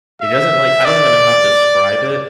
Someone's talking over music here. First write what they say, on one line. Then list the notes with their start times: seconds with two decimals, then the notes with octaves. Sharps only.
it doesn't like, I don't even know how to describe it,
0.21 E5
0.85 D5